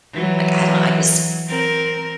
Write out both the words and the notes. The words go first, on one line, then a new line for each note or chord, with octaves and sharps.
Like, I don't, I just
E3 F#3
C4 A#4